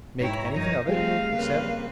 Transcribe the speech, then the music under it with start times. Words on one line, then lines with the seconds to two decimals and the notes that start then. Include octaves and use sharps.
"Make anything of it?" he said.
0.21 G#2 D#4 E4 C#5 G5 A#5
0.56 G2 D#3 F3 D#4
0.89 F3 G3 A3 C4 D#4 G4 G#4 F5
1.33 C#3 A#3 C4 B4